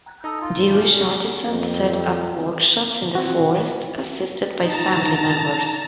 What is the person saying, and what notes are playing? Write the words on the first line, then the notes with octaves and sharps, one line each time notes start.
Jewish artisans set up workshops in the forest, assisted by family members.
D#4 A4 D#5 A#5
F4
C#4 D4 G4 G5
F2
C4 E4 F#4
D#4 A5 A#5